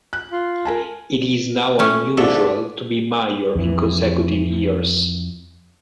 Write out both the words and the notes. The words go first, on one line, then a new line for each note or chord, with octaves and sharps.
It is now unusual to be mayor in consecutive years.
F#6
F4
A#4 G#5 A5
A3 C#4
D#2 G#2 A3 D4 A4
F2 E3